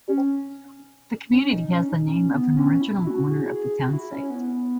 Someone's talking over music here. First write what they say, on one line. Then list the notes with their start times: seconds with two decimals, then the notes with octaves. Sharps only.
The community has the name of an original owner of the town site.
0.09 C#4
1.32 C#4
1.51 D#4
1.70 C#4
1.89 D#4
2.07 C#4
2.32 B3
2.57 C#4
2.81 E4
3.07 F#4
3.31 G#4
3.56 G#4
3.87 F#4
3.93 E4
4.12 C#4
4.30 B3